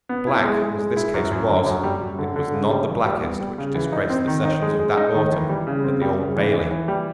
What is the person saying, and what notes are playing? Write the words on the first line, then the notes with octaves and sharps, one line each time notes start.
Black as this case was, it was not the blackest which disgraced the sessions of that autumn at the Old Bailey.
B3
E4
G#3
G#3
G#3
E4
F#2
F#2
D3
F#2
G3
F#2
D3
D3
C#3
G3
E3
G3
B3
G3
C#3
E3
D#4
C4
D#3
D#4
G#3
G#3
D#4
D#3
E3
G3
C#3
C4
G3
C#3
E3
E3
E3
G3